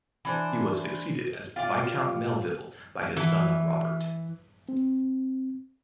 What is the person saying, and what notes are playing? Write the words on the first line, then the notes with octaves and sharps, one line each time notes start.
He was succeeded as Viscount Melville by his son Robert.
E3 D4 C5
F4 G4 D5
E3
C4